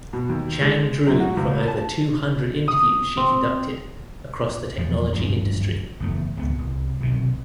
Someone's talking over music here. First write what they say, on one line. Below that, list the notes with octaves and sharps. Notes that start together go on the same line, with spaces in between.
Chang drew from over two hundred interviews she conducted across the technology industry.
B2
D#2
G#3
F#2
F#4
C#2
A5
D#6
C4
E2 F3 F#3
D1 G#1 G2 F3
F#1 E2 A3
G#1 C#2 B3
C2
B1 C3 D#3